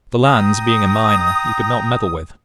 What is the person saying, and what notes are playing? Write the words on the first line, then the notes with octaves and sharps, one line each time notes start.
The lands, being a minor, he could not meddle with.
G5 A#5 D#6